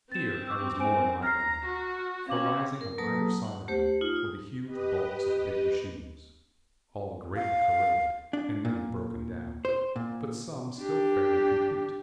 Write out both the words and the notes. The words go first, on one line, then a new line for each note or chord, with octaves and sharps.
Here I was more in my element, for rising on either side of me were the huge bulks of big machines, all greatly corroded and many broken down, but some still fairly complete.
C4 A6 E7
C#6 D6 E6
C5 G#5 D7
A#5 F6 C7
F#4
C4 C#4 F5 D6 F#7
A#4
F#3 A#3 A4 B4 A5 D#6
F#5
A3 G4 C5
D#4 F4
D#6
G4 B4 D#5
F5
D4
A#2
C5
A#2
D4 G4